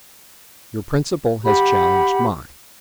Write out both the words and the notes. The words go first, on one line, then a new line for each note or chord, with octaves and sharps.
Your principal has challenged mine.
G4 F#5 B5